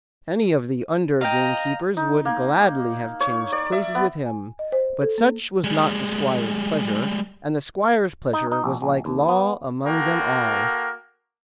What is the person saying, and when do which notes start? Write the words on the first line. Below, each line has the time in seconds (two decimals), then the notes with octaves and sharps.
Any of the under-gamekeepers would gladly have changed places with him; but such was not the squire's pleasure, and the squire's pleasure was like law among them all.
1.21 D#5 F5 G5 A#5
1.97 D#4
2.25 A#3
3.20 C#5
3.52 D5
3.72 E5
3.95 B3
4.26 G#5
4.59 D#5
4.72 C5
5.02 A4
5.18 A#3
5.64 G3 G#3
8.33 D#4
8.52 D#4
8.64 A#1
8.82 A#1
9.05 D#2
9.28 B3
9.85 A#3 F#4 A4 A#4 G5